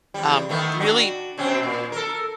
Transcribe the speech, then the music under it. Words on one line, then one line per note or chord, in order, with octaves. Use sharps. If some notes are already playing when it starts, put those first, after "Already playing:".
um, really
E2 G3
D#3 A3 B3
D4 F#4
B2 C4 C#4
A#2
A4 A#4